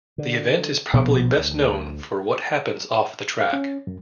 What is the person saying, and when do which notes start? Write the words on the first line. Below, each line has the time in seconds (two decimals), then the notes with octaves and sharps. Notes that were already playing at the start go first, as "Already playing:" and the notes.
The event is probably best known for what happens off the track.
0.18 D3
0.93 A#1 B2 F3 B3
1.36 D2
3.41 F5
3.53 C#4
3.87 F#2